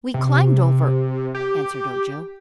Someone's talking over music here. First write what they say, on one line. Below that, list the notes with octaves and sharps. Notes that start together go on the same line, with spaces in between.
"We climbed over," answered Ojo.
C3
G4